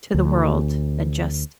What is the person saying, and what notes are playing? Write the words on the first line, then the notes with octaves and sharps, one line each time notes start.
to the world than just
D2